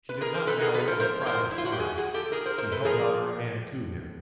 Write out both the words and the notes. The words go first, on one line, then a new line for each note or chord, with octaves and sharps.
She did not now even try to smile, she held out her hand to him.
B4
G#4 A#4
A#4 C5
A4 B4
G#4 A#4
A#2 F3 A4 B4
A#4 C5
A#4 C5
C#5
A#4 C5
E4
F4
F#4
G4
F#4 G#4
F#4 G#4
G4 A4
G#4 A#4
A#4 C5
A#4 C5
A4 B4
A2 F3 G#4 A#4